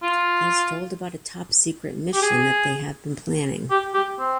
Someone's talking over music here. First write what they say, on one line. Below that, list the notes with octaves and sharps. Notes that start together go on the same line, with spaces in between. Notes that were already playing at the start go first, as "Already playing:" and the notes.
He is told about a top secret mission they have been planning.
F4
G4
G#4
G4
G4
C4